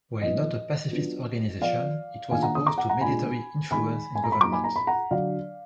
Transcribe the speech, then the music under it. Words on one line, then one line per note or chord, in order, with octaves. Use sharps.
While not a pacifist organization, it was opposed to military influence in government.
A#2 F3 B3 D#4 D#5
F#3 B3 D4 F4
F3 B3 F4 D5 F5
D#3 A#3 D4 F4 F5 G#5
F#5 A#5
D#6
A#5 D6
F#5 A#5
F#5 A#5
A#2 G#3 D4 F4 G#5 B5
D#3 G#3 D#4 G#5 B5
G#5
A#5
B5
F#3 A#3 D#4 A#5 D6
G#5 B5
A#5
B5
F#5 A#5
D3 F#3 D4 D5 F5